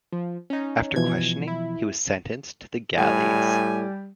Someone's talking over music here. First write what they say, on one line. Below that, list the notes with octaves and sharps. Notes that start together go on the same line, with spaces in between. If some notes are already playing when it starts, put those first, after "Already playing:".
After questioning he was sentenced to the galleys.
F3
C#4 D#4
B2 E3 F3 G#6
E4
A2 G3 G#5